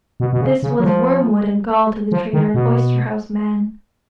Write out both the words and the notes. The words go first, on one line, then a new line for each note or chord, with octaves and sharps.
This was wormwood and gall to the trader and oyster-house man.
B2
B2
C#3
C#3
F#3
F3
F3
D#3
B2